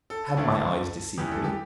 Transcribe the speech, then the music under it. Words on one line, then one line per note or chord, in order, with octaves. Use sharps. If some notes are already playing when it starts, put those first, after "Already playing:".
Had my eyes deceived me?
A4
D2 D3 A3
E2 E3 G3 G4
A4
G4